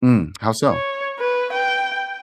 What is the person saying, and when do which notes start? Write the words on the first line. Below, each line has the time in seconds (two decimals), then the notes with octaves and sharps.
Hmm, how so?
0.69 C#5
1.20 B4
1.53 G5